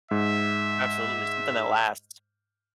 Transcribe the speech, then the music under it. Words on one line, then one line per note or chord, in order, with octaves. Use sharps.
Absolutely, something that lasts.
G#2 E5